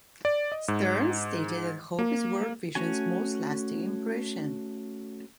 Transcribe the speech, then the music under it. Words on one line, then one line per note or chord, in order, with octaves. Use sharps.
Stearns stated that "hope" is World Vision's most lasting impression.
D5
D#5
G#2
A#3
A3 C#4 F#4 G#5